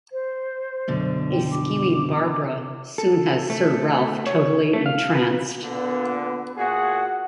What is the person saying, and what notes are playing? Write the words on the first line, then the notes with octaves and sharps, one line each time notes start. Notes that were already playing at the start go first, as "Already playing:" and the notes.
A scheming Barbara soon has Sir Ralph totally entranced.
C5
F#2 B2 D3
G5
D6
A4
A3
C#5
A3
F5
B4
A#2 D3 B3
A#2 F#4 G#4 F#5